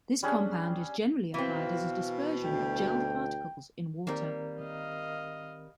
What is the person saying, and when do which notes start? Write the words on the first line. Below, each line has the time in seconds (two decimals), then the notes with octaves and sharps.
This compound is generally applied as a dispersion of gelled particles in water.
0.23 G3 C#4 D4 G#4
1.34 B2 E3 C4 F5
2.45 D2 G5
4.07 D#3 G3 A#3 C4 A#4
4.61 D#5 F5